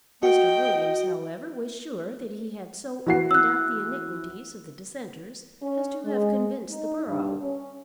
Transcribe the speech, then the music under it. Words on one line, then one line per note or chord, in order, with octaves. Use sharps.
Mr. Williams, however, was sure that he had so opened out the iniquities of the dissenters as to have convinced the borough.
F#4 D#5 G5
E3 F#4 C7
E6 F#6
C#4
G#3
D#4
G2
C#4